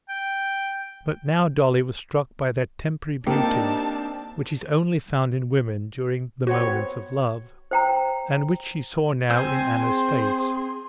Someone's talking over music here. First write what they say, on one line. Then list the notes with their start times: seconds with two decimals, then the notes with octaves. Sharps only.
But now Dolly was struck by that temporary beauty, which is only found in women during the moments of love, and which she saw now in Anna's face.
0.09 G5
3.27 A#3 C4 D4 D#4 G4 A5 C#7
6.47 B3 C4 F#4 C5 C#5 F#5
7.71 C5 G5 A#5
9.30 C4 C5 G#5 E6 G6
9.82 G#4 C6